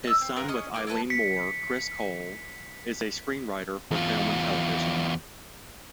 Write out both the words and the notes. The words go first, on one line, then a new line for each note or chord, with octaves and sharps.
His son with Eileen Moore, Cris Cole, is a screenwriter for film and television.
D#5 E6
C4
C4 F4 A#4 B4
C#4 G#4 D#5 D#6
A#3 D#4 D6
E4 A4 B4 A5
B6 C#7
E2 F4